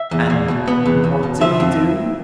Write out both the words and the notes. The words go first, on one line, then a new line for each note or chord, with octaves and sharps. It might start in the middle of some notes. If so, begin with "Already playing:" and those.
"And what did he do?"
Already playing: E5
E2
E2
B2
B3
E2
E2
B2
F3 E5
F2